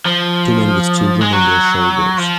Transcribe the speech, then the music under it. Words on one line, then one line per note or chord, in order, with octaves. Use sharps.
Two men with children on their shoulders.
F3
G#3
F#3
F3